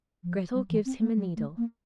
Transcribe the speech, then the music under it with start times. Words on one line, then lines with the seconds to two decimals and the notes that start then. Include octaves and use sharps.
Grettel gives him a needle.
0.23 F3
0.54 G3
0.69 E3
0.86 C4
1.01 A#3
1.16 G3
1.36 A3
1.57 A#3